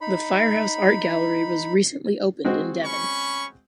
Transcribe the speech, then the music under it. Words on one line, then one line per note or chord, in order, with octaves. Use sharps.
The Firehouse Art Gallery was recently opened in Devon.
D#4 B5
G#3 C4 F#4
C#4 B5 C#6